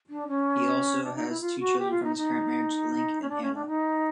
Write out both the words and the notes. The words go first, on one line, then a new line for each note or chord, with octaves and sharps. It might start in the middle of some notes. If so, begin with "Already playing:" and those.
He also has two children from his current marriage, Link and Hannah.
D4
C#4
D4
D#4
E4
F4
F#4
G4
F4
D#4
D#4
C#4
D4
C#4
D4
D#4